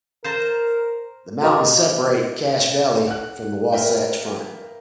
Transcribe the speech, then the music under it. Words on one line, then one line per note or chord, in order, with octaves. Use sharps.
The mountains separate Cache Valley from the Wasatch Front.
A#4 C5 A5 A#5
F#4 B4 D#5 F5 D6
F#5 F#6
A#4 B4 E5 F5 G5